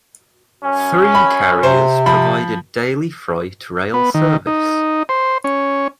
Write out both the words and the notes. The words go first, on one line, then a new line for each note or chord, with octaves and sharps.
Three carriers provide daily freight rail service.
F#2 C#4
B5
C3 C5
F3 B5
B3
D#3
D#4
C5
C#4